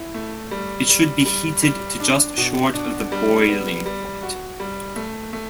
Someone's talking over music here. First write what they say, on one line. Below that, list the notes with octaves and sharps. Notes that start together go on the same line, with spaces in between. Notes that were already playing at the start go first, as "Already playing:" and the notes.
It should be heated to just short of the boiling point.
Already playing: E4
A3
G3
G3
G3
G3
D4
B2
D4
G3
B3
G3
F#4
G3
A3
A3